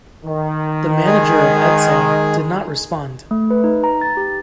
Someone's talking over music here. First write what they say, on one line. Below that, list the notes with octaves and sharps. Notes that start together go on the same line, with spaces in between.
The manager of Edsel did not respond.
D#3
G#3 G#4
A3
B4
D#4
A#5
A6
G4